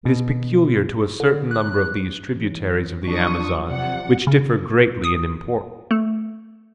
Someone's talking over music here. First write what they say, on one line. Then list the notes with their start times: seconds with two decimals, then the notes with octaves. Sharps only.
It is peculiar to a certain number of these tributaries of the Amazon, which differ greatly in importance.
0.05 B2
1.20 D3
1.51 F#6
2.35 E3 C#4
3.08 F3 F#3 D4 F4 C#6 D#6
3.70 C3 D5 F#5
4.27 C#3
5.04 D#6
5.91 A3